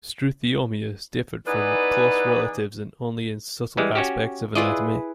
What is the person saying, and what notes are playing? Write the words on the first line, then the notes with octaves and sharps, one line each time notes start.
"Struthiomimus" differed from close relatives only in subtle aspects of anatomy.
E3 B3 D#4 G#4 B4 D5
E3 G3 G#3
C#4 F#4 G4
E4 F4 G#4 B4 D5 D#5